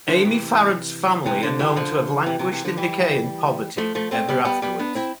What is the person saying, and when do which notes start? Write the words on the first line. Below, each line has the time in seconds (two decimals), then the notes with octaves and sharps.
Amy Farrant's family are known to have languished in decay and poverty ever afterwards.
0.08 D3 F3
0.25 C3 E3
1.26 C3 E3
1.43 D3 F3
1.59 E3 G3
1.76 D3 F3
2.26 C3 E3
2.39 C3 E3
2.52 C3 E3
2.65 D3 F3
2.77 E3 G3
3.78 F3 A3
3.95 F3 A3
4.11 A3 C4
4.29 G3 B3
4.45 G3 B3
4.62 G3 B3
4.79 B3 D4
4.95 C4 E4